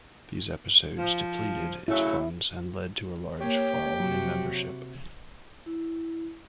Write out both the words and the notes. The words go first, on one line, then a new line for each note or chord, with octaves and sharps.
These episodes depleted its funds and led to a large fall in membership.
F3
C#3 F#3 A3 E4
A#3 G4 C#5
C3 F#3 F#4
E4